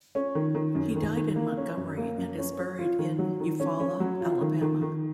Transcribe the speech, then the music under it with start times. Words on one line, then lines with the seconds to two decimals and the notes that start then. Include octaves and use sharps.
He died in Montgomery and is buried in Eufaula, Alabama.
0.15 C#4
0.35 D#3
0.55 D#3
0.75 F#2
0.96 D#3
1.16 D#3
1.36 A#3
1.57 C#4
1.77 F#2
1.97 A#3
2.18 F#2
2.38 C#4
2.58 C#4
2.79 F4
2.99 D#3
3.19 F#3
3.40 D#3
3.60 C#4
3.80 C#4
4.00 F#3
4.21 F4
4.41 D#3
4.61 D#3
4.82 D#3